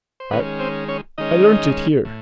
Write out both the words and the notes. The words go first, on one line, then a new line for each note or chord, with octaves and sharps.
I-I learnt it here.
C5
D#3 G#3 B3 C#4 B4
C4 C5
C#4 C#5
D#3 G#3 C#4 D#4 D#5
A2